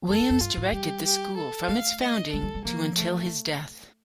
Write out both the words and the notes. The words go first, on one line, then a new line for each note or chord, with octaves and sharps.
Williams directed the school from its founding to until his death.
F2 A4
G2
F2
G2 F4
A2
G3 G4
G4
A4
A3 F5
D#5
G3 A4
G3
G3
F3 A#3
A3